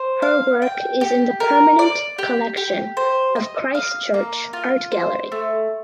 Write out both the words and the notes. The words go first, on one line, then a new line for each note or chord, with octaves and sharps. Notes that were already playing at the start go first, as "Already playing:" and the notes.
Her work is in the permanent collection of Christchurch Art Gallery.
Already playing: C5
F5
G5
G4
A#4
D5
G4
G4
C5
D#5
F5
A#3
F4
C5
A3